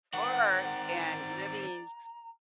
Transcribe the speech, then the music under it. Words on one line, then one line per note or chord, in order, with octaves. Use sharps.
hurt and living s"
D#3 C4 D5 F#5 A#5